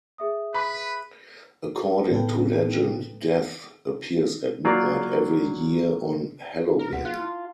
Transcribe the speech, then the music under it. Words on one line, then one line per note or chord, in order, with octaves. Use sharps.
According to legend, "Death" appears at midnight every year on Halloween.
G#4 E5 D#6
B4 B5
A2 B3 A4 B4 G5
F#3 A#3 F4 D5 F5
A#4
D2 B4 F#5 B6
F4 F5 F#6 C#7
E4